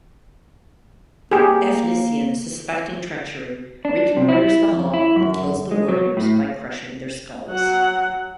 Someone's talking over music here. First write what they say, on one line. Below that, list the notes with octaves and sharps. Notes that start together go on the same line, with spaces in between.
Efnisien, suspecting treachery, reconnoitres the hall and kills the warriors by crushing their skulls.
A#3 G4 G#4
D4
C3
E4
F2
E4
F#2
G#3
F#3
A2
F#3 F#5